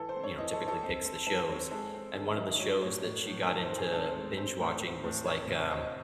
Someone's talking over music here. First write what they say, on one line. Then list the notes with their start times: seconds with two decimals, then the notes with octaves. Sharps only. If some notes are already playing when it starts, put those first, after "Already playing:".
you know, typically picks the shows. And one of the shows that she got into binge-watching was, like, um,
Already playing: E3 A4
0.09 C5
0.16 C4
0.24 C#5
0.38 E3 D#5
0.53 A4
0.60 E3
0.68 A4
0.83 C4
1.05 C4
1.27 E3 A4
1.38 C5
1.49 C4 C#5
1.60 C5
1.71 G#3 A4
1.94 C4
2.15 D#3 G#4
2.26 E5
2.38 D#3 D#5
2.49 D#5
2.59 F#3 C#5
2.82 A2 C#5
3.04 A2 C#5
3.26 A2
3.49 D#3 A4
3.63 C5
3.70 D#3
3.78 G#4
3.93 C4 A4
4.15 G#3
4.37 C4 C5
4.59 A2
4.81 C4
5.03 A2
5.25 C4 C#5
5.48 C3
5.70 C4 D#5